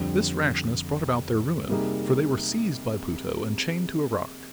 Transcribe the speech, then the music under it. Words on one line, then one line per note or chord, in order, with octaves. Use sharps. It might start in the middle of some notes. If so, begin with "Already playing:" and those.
This rashness brought about their ruin, for they were seized by Pluto and chained to a rock.
Already playing: F2 D3 G3
C3 G3 A#3 D#4 G#4